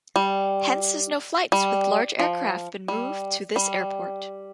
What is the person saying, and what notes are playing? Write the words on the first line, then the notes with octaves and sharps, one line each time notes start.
Hence has no flights with large aircraft been moved to this airport.
G3
G3
F3
G3
G3